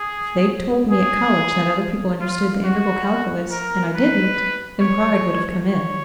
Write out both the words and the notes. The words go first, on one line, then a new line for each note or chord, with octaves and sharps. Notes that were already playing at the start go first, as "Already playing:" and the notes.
If they'd told me at college that other people understood the integral calculus, and I didn't, then pride would have come in.
Already playing: G#4
G#4
F4
F#4
A#4
B4
C#5
C#5